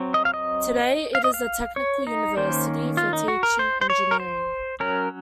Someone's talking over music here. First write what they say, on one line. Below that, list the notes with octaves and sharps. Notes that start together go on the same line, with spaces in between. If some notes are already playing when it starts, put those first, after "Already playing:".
Today, it is a technical university for teaching engineering.
Already playing: F#3 C4
D#5
F5
D#5
F5
D#5
F5
C#5
D#4
D#3 A#3 C#4 C5
F4
D#4
F#4
A#4
C5
C5
C#5
A#4
C5
F#3 C#4 A#4